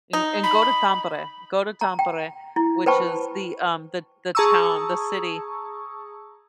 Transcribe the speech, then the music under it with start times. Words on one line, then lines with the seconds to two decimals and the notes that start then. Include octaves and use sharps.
And and go to Tampere, go to Tampere, which is the, um, the the town, the city
0.13 D#4
0.44 B5
1.81 A#5
1.99 G5
2.56 E4
2.86 B4 C5 G5 A5 B5 C#6
4.35 G#4 A5 A#5 C#6 D#6 E6